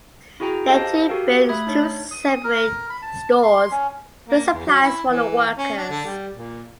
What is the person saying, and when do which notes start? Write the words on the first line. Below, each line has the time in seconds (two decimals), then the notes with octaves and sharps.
They, too, built two separate stores with supplies for the workers.
0.40 E4 F#4 G#4 G5 A#5
0.67 G4 A4 C5 D#5 F5 A5
1.09 F#4 G4 A4 A#4 F5 G5
1.49 A3 E5 B5 D#6 G#6
1.67 D4 D#4 C#5
2.11 D#6
2.44 A#4
2.90 B5
3.02 A5
3.43 C6
3.71 C#4
4.28 A#3
4.53 E2
4.66 F#3
4.82 E4
5.09 E3
5.58 C#4
5.77 D4
5.90 D3
6.05 G3
6.34 A#2